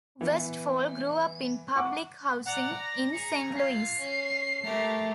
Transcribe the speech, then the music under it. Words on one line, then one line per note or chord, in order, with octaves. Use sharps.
Westfall grew up in public housing in Saint Louis.
E3 B3
F#5 C#6 D6
D5 F#5 A#5
A#6
G#4 A#5 C#7
F4 C7
C#4
A3 G4 A#4